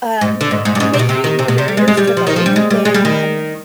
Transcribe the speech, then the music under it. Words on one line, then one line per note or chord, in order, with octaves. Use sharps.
um, may create more barriers to voting than
G#2
D3
G#2
G#2
G2
G#2
C3
B2
C3
D#3
C3
B2
C3
G3
G#3
G#3
G3
G3
F3
D#3
F3
G3
G#3
G3
G#3
G3
D#3